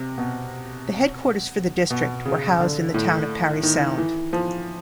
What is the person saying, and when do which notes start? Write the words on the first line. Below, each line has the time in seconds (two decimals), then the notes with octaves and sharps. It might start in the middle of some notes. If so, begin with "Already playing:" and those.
The headquarters for the district were housed in the town of Parry Sound.
Already playing: C3
0.18 B2
1.90 B2
2.25 C#3
2.60 D3
2.94 A2
3.63 D#3
3.98 E3
4.33 F3